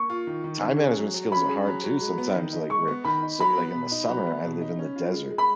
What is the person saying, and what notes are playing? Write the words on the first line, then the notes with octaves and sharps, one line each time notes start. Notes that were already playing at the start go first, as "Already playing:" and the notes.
Time management skills are hard too sometimes, like, we're so, like in the summer, I live in the desert
Already playing: A#3 C#6
F4
D#3
D#3
C#4
G#4
F#3
F#3
C#4 B5
G#4
F#3
F#3
G#3
B3
D#3
D#4
G#3 C#6
B3
D#3 B5
D#4
F#3 B5
B3
B2
D#4
F#3
B3
B2
D#4
C#4
F4
G#3
G#3
B5